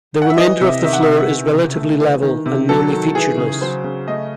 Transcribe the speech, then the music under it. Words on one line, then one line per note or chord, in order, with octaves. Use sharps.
The remainder of the floor is relatively level and nearly featureless.
F#5
E5
E3 D#5
C3 E5
D#3 E5
F#5
E5
C3
E3
C#3
A3
E3
D#3
C3
F#3 A4
D#3
E3 G#4
C#3
F#3 C5
C#3
A3 D#5